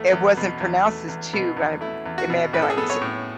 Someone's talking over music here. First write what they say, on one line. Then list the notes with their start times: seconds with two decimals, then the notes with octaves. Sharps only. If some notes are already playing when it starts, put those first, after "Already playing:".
it wasn't pronounced as, "to," but it may have been, like, t
Already playing: E2 A3
0.12 E2
0.37 B2
0.60 E2
0.85 A3
1.09 E2
1.33 B2
1.57 E2
1.81 A3 E4
2.06 E2
2.18 F#4
2.30 B2
2.53 A2 B4
2.62 A4
2.70 G#4
2.77 B3 A4
2.90 C#5
3.01 A2